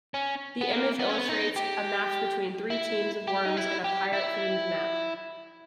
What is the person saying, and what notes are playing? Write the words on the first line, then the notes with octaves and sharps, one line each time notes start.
The image illustrates a match between three teams of worms in a pirate-themed map.
C#4
B3
A#3
B3
C#4
B3
D#4
G4
E4
G4
D#4
E4
G4
E4